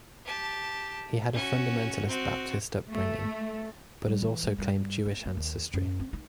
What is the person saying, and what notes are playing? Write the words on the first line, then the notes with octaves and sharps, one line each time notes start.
He had a fundamentalist Baptist upbringing, but has also claimed Jewish ancestry.
G4 A5
C#4 F#4
C4 F#4
A3
G3
E3
G3
G2
B3
A#3
D#2
F#2
C4
D#4